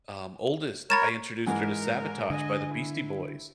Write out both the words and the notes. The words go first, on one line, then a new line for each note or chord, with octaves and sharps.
um, oldest, I introduced her to "Sabotage" by the Beastie Boys,
A#4 C#5 B5 A6 E7
G#2 E3 G#3 A#4
D3 D#5 G#5
E4